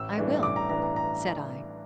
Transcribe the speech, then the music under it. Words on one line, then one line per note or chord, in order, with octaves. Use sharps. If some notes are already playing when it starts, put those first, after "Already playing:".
"I will," said I.
Already playing: A1 E6
G2 E3 A3 D4
A1 D6
A#5
G2 E3 A3 D4 A#5
A#5
A#5